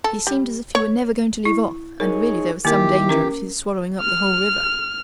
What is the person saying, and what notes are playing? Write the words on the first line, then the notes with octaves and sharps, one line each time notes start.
He seemed as if he were never going to leave off, and really there was some danger of his swallowing up the whole river.
A4
G3
C#5
E4
D#4 G#4 A#4 C#5
D#3 A#3 E4 G4 A#4
C#4 A#4
F6